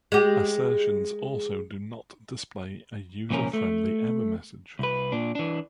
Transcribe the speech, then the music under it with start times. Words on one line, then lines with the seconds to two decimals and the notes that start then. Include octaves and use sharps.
Assertions also do not display a user-friendly error message.
0.12 G#3 G4
3.30 C2 A#2 F3 C#4 A#4
3.53 A3
4.79 C2 B4
5.12 A#2 D4
5.35 E3 D4